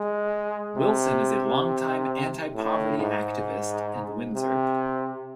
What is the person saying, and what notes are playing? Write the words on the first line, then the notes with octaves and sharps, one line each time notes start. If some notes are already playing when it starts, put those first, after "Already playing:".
Wilson is a longtime anti-poverty activist in Windsor.
Already playing: G#3
C3
A2
G#2
C3